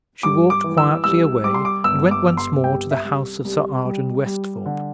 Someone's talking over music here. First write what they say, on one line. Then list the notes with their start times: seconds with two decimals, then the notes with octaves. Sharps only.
She walked quietly away, and went once more to the house of Sir Arden Westhorpe.
0.23 G2 D6
0.50 D6
0.64 E3
0.78 E6
1.04 C2 E6
1.44 G3 D6
1.54 C6
1.65 D6
1.84 G1 E6
2.11 D6
2.25 G1
2.37 C6
2.64 C2 G5
2.91 E5
3.04 C2
3.45 C2
3.85 G3
4.26 G3
4.66 D3